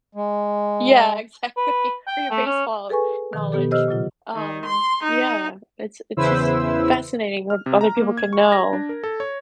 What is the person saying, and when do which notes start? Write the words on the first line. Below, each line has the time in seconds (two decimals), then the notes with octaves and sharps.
yeah, exactly, or your baseball knowledge. Um yeah, it's it's just fascinating what other people can know
0.15 G#3
1.57 B4
2.07 G5
2.31 A3
2.46 C#4
2.89 G#4 A4 B4 G#5 C#6
3.33 B2 D#3 F3
3.52 B2 B3 G4 A4
3.71 G4 C5 D#5 E6 F6
3.88 A#2 C#3 F#3 F4
4.35 D#3
4.65 C6
5.03 D#4
6.17 E2 C#3 E4 B4 C5 E6
7.50 F6
7.66 C3
7.81 A#5
7.97 A#3
8.17 G#6
8.33 C#6
8.52 A#6
8.73 D4
8.89 A#4
9.04 A4
9.20 C#5